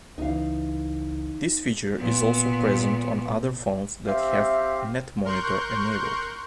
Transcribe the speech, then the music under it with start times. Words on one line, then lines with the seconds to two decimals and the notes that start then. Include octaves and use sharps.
This feature is also present on other phones that have "netmonitor" enabled.
0.18 C#2 E3 D#4 F5
1.95 A#2 B3
4.07 C4 G4 E5 F5
5.25 A#4 C6 C#6 F#6 G6